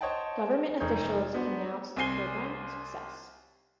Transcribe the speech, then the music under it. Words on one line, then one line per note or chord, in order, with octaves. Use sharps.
Government officials pronounced the program a success.
C5 C#5 D#5 F#5 G5 A5
F1 D#4 G#4 A#4 C#5 G6
B3 D4 F#4 C5
C2 C4 G#5 C7 G7